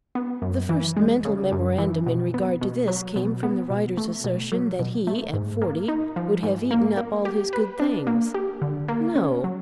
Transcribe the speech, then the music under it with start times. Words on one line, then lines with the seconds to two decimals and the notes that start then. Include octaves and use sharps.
The first mental memorandum in regard to this came from the writer's assertion that he at forty would have eaten up all his good things. No!
0.15 B3
0.42 F#2
0.69 E3
0.97 G#3
1.25 C#3
1.52 F#2
1.78 E3
2.07 B2
2.34 B3
2.61 B2
2.88 F#3
3.16 B2
3.43 B3
3.70 B2
3.97 A3
4.24 B2
4.52 F#3
4.79 B2
5.07 A3
5.34 G#2
5.62 A#3
5.88 D#4
6.16 F3
6.43 G#2
6.71 A#3
6.97 A#3
7.25 G4
7.53 B4
7.80 D4
8.07 A#3
8.34 G4
8.62 D3
8.88 A#3
9.16 C#4
9.44 F#3